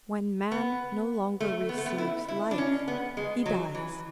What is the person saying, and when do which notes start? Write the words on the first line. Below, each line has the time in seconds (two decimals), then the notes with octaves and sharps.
When man no longer receives life, he dies.
0.51 B3
1.40 A3
1.69 B3
1.78 A3
1.86 B3
1.98 E4
2.28 E4
2.51 D4
2.58 C#4
2.88 B3
3.17 G#3
3.46 F#3
3.75 E3